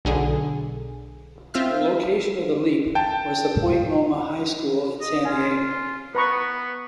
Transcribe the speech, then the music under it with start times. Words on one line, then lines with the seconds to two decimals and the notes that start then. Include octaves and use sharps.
The location of the "leap" was the Point Loma High School in San Diego.
0.05 B1 D3 G#4
1.54 C4 F4 E5 F6
2.95 G5 A5
5.01 D#5
5.25 F4 G#5
6.15 B3 B4 A#5 C#6